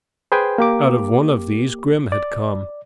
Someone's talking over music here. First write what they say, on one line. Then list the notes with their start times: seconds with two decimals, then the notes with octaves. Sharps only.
Out of one of these Grim had come.
0.32 G#4 B4 C5 G5 G#5
0.58 A#3 G4 D6
2.12 D5